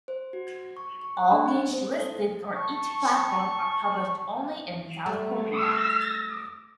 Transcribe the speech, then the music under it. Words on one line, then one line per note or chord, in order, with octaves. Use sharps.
All games listed for each platform are published only in South Korea.
C5
F#4
G#6
C#6
C#6
F#6
D4
C4
C5
A4
A5 C#6
G3 A3